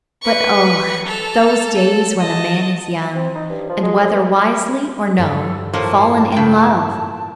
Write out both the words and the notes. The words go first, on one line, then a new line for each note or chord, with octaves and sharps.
But, oh! those days when a man is young, and, whether wisely or no, fallen in love!
B4 C#6
A4 F7
A4
D#5 A5
C4
D#4
G2
F3
G#3
A2
B3
G2 A4
A2 F3 A#3 A5
C#3 G5